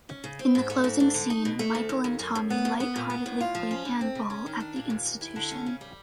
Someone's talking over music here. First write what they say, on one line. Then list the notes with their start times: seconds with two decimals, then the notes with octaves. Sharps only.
In the closing scene, Michael and Tommy light-heartedly play handball at the institution.
0.09 C#4
0.24 C#3
0.39 C4
0.55 G#2
0.70 A3
0.84 G#2
1.00 D4
1.14 D3
1.30 D#4
1.45 B2
1.59 A3
1.75 D2
1.89 D#2
2.04 D#2
2.19 F#2
2.35 F#2
2.50 B3
2.65 F#2
2.80 B3
2.96 A#2
3.10 B3
3.26 A2
3.41 F4
3.55 F3
3.71 C#4
3.85 D3
4.01 C4
4.15 C#3
4.30 C#4
4.46 D#3
4.60 D4
4.76 A#2
4.90 D#2
5.05 D#2
5.21 E4
5.36 D3
5.51 C#4
5.66 C#3
5.81 G3